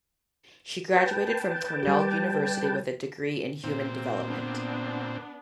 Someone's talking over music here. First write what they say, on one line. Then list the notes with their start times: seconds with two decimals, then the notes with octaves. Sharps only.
She graduated from Cornell University with a degree in Human Development.
0.96 B4 G5 A5
1.83 G3 G4
3.64 A#2 C4
4.27 B3 D4